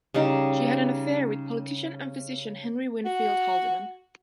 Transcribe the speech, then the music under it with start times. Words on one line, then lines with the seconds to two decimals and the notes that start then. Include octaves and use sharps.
She had an affair with politician and physician Henry Winfield Haldeman.
0.14 C#3 G3 D#4
3.05 F#4